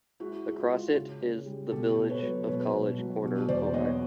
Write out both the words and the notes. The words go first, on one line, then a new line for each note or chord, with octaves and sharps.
Across it is the village of College Corner, Ohio.
G#3 E4 F#4
G#3 E4
F4
G#3
C#3
C#3
G3
B2 G4 A4
B2
B4 C#5
F#3
B2 B4 C#5
B2
F#3
B2
E2 C5 D5
B3 C#5 D#5